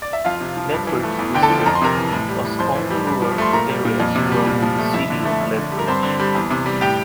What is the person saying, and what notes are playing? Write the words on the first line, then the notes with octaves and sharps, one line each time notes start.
Lethbridge district was all the rural area surrounding the City of Lethbridge.
D5
E5
F2 F4 F5
C3
F3
G2
E3
A3
E2
D3 G5
A4 A5
F3
F2 A#5
C6
C3 A#4 A#5
E3
A2
G3
A2
F2 C5 C6
E3
G3
G2
F3
A3 C6
A#2 A#4 A#5
G3
A#2
F2
C3
G3
A#2
F3
A3
F2 E4 E5
D3
A3
F2
D3
G3
A#4
G2 C4 C5
D3
G3
E2
C3
G3
A2 G4 G5